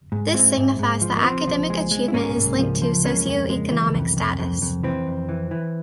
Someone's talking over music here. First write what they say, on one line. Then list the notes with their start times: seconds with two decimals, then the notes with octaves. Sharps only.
This signifies that academic achievement is linked to socioeconomic status.
0.12 G#2
0.34 G#3 C4 E4
0.57 G#2
0.79 G#2
1.01 F3
1.17 A#3
1.24 F3 C4
1.47 F3
1.70 G#3
1.91 G#3
2.08 E4
2.14 G#2 A#3 C#4
2.37 G#2
2.59 F3
2.82 F3
3.04 G#3 A#3 C#4
3.26 F2
3.50 G#3
3.72 E3
3.94 F2
4.17 F2
4.40 F2
4.62 F2
4.83 E3 C4
5.07 F2
5.29 E3
5.51 E3